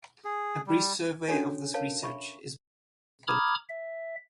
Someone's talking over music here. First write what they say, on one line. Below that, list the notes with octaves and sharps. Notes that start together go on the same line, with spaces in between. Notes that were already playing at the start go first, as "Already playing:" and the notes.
A brief survey of this research is below.
G#4
G3
C#4 D4 F#4 A4 C#5 G#5
A#4 C#5 F5 A5
E5 B5 C#6
A#5 B5 D6 D#6 F6 G#6
E5